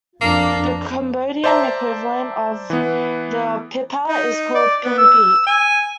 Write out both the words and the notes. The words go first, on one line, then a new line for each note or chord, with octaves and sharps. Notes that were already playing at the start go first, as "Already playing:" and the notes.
The Cambodian equivalent of the "piphat" is called "pinpeat".
F2 A#3 D4
C5 D5 E5 A5 A#5
E3 B3
D#4
D5
B3
E6
G#5